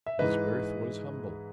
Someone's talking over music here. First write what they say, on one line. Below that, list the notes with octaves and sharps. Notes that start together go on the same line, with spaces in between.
His birth was humble.
E5
G#2 E3 G#3 B4 D#5